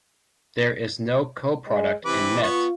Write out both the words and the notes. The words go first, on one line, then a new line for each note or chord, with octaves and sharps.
There is no coproduct in Met.
G#3 D#5
C3 E3 B4 D6
B3 F4 C#6